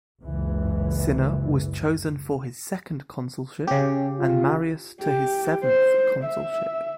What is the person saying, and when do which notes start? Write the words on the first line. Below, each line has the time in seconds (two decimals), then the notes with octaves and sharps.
Cinna was chosen for his second consulship and Marius to his seventh consulship.
0.22 F#1 C#2 E3
3.67 C#3 C#4 G4
4.19 F4
5.01 G4
5.63 C5
6.24 E5